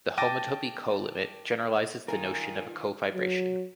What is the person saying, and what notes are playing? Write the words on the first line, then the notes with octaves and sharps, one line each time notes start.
The homotopy colimit generalizes the notion of a cofibration.
G5 A5 D6 A6 A#6 D#7
D#3 F4 A#4 G#5
F#3